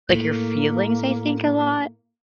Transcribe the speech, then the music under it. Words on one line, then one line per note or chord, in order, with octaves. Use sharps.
like, your feelings, I think, a lot?
A2 A#3